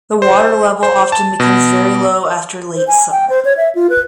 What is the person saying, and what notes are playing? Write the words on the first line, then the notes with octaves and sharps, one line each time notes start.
The water level often becomes very low after late summer.
C5
C5
A5
B2
C5
G#5
G5
C5
C#5
E5
F4
B4